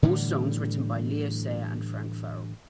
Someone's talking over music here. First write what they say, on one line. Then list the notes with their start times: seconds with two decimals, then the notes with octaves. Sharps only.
All songs written by Leo Sayer and Frank Farrell.
0.02 A2 D3 E3 G3